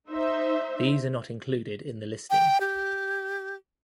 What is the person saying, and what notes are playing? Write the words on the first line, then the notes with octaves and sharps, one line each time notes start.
These are not included in the listing.
D#4 C5 E5
G5
G4